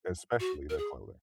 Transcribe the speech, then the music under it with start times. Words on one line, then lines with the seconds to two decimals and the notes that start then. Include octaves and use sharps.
especially the clothing.
0.40 F#4
0.70 A#4
0.78 G#4